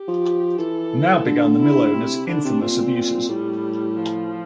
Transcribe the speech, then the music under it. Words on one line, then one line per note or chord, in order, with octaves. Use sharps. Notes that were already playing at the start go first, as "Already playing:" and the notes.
Now began the mill owners infamous abuses.
Already playing: G4
F3
E3 A4
D3
E4
C3
D3 D4
C3
A#2 C4
A2 G3
F3